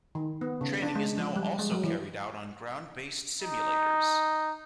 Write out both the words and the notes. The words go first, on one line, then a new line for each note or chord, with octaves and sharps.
Training is now also carried out on ground-based simulators.
D#3
B3
C#3
D4
G#3
F3
G3
G#3
F#3
E3
D#4